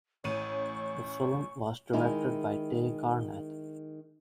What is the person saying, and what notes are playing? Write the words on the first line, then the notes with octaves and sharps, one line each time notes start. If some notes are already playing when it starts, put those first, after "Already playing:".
The film was directed by Tay Garnett.
A1 A2 C#4 C#5 C#6 D#7
D#3 G#3 D#4 E4